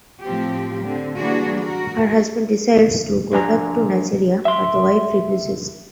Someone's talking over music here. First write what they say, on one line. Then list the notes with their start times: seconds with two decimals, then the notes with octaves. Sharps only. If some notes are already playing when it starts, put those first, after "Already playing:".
Her husband decides to go back to Nigeria but the wife refuses.
0.23 A2 F3 C4 G4
0.84 D3 C4
1.18 E3 G3 A#3 D4 F#4 G#4
1.61 F#4 A#4
3.33 F3 D4 G#5 A#5
4.45 E5 C6